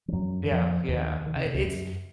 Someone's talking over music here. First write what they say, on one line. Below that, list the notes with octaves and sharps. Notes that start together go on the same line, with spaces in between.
Yeah yeah, I it's
F3
F#2 F#3
D#3
F2 F3
D#2 D#3
D#3
C#3
B2
C#2 C#3
F#2